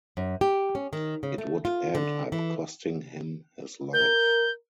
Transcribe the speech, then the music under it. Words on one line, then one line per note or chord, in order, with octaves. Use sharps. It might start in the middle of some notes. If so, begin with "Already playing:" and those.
It would end up costing him his life.
F#2
G4
C#4
D#3
C#3
A3
F4
D3
E3
A#4 G6